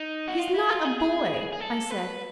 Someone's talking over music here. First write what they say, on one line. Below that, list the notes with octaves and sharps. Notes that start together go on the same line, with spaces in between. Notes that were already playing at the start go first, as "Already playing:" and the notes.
"He is not a boy," I said.
Already playing: D#4
F#4
F4
E4
F4
G#4
G#4
G#4
A4
B4